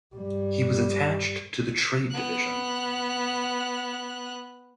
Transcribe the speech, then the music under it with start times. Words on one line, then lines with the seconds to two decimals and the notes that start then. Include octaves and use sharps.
He was attached to the trade division.
0.16 G2 G3
2.11 B3 F#6